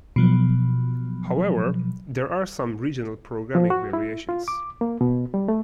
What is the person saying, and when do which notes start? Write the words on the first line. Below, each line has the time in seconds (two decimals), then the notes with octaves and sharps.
However, there are some regional programming variations.
0.16 B2 F3 F#3
3.55 F3
3.70 F#4
3.93 E4
4.29 F4
4.48 D6
4.81 A#3
5.01 B2
5.34 G3
5.48 A3